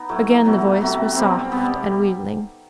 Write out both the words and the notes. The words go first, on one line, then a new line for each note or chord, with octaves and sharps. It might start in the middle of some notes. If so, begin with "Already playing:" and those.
Again the voice was soft and wheedling....
Already playing: B3 D#4
A2 F#3 A3
B2 F#3 A3
C3 F#3 A3
B2 G3 C4
B2 G3 B3